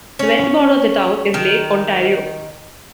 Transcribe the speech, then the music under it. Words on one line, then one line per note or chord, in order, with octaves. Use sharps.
The west border of the town is Lake Ontario.
C#4
D#3